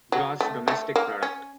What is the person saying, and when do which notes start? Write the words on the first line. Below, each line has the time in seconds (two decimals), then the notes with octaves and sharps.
Gross Domestic Product.
0.12 F#3
0.41 A3
0.68 A3
0.96 A#3
1.23 C#4